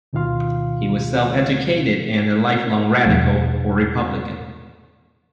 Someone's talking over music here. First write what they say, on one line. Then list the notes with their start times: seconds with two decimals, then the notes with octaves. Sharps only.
He was self-educated and a lifelong "Radical" or Republican.
0.13 D2 B2 D#3 F4 F5 C6
3.06 E2 B2 F3 A3